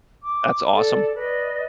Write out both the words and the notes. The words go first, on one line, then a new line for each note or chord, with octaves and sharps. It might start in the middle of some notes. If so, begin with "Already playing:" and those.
That's awesome.
D6
A4 D5
B4 D5 D#5